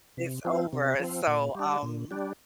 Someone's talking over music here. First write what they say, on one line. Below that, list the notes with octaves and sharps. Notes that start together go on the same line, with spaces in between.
it's over. So, um,
C3
F3 C4
C3
F3 C4
A#2
G3 D4
A#2
G3 D4